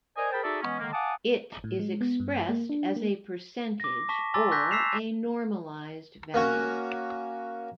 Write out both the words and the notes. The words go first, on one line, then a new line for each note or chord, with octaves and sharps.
It is expressed as a percentage or a normalized value.
A#4 C5 D5 D#5 G#5
G#4 A#4 C5 G5 A5 B5
D#4 F#4 G#4 A4 D5 E5
E3 G#3 B3 C#4
D3 D#3 G#3 A#3
F5 F#5 G#5 A5 D6 D#6
A2
G#3
B3
G2
A#3
D4
A#3
D6 A#6
A5 C#6 B6
G#5 A#5 C6 D6 E6 A6
C#6 E6 F#6 G6 A#6 B6
E6 B6 C7 E7 F7
A#3 C#4 F#4